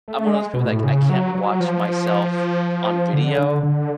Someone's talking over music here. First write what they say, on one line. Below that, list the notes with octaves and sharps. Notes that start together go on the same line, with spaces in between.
I'm one of those people that, like, I can't watch myself on video,
A3
G#3
B2
A2
C#3
F#3
F#3
F3
D3
D3
D3